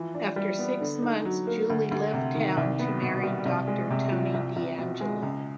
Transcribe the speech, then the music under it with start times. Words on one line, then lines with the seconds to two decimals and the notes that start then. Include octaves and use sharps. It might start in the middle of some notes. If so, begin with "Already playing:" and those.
After six months Julie left town to marry Doctor Tony DeAngelo.
Already playing: E3 F3
0.14 D4
0.36 G3
0.59 B3
0.81 D3
1.02 D#4
1.25 F#3
1.47 A#3
1.70 D2
1.91 D2
2.14 C3
2.35 D#3
2.57 C2
2.79 B3
3.02 B2
3.23 G3
3.45 C2
3.68 G#3
3.90 C3
4.12 F3
4.34 C2
4.56 C2
4.78 B2
5.01 G#3
5.23 C#2